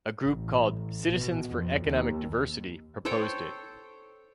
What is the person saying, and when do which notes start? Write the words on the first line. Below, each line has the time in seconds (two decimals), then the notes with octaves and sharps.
A group called "Citizens for Economic Diversity" proposed it.
0.24 A1
1.12 B2
1.49 F2
1.86 D#2
3.05 A4 C5 C#5 G5